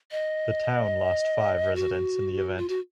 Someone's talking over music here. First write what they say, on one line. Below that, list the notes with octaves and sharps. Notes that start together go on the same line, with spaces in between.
The town lost five residents in the event.
D#5
F#4
F4
F#4